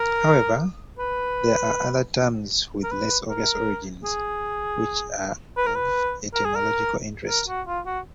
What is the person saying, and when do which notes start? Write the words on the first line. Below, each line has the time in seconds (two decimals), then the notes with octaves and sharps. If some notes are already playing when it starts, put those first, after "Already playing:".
However, there are other terms with less obvious origins, which are of etymological interest.
Already playing: A#4
0.99 B4
2.83 A#4
2.91 B4
3.28 A#4
4.04 G#4
5.57 B4
5.66 A#4
5.75 B4
6.34 A#4
6.45 G#4
6.55 A#4
7.28 A#4
7.48 F#4
7.67 F4
7.86 F#4